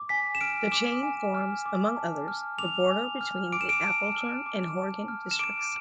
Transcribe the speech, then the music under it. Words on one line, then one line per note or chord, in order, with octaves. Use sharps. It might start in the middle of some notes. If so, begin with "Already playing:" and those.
The chain forms, among others, the border between the Affoltern and Horgen districts.
Already playing: D6
G#5 B6
E7
F6 D7
D6 E7
G#5
F6
D6
A5
F6
D6 F7
G#5
F6
D6 D7
E7
D7
A5
F6
D6
A5
F6
E7
D6 D7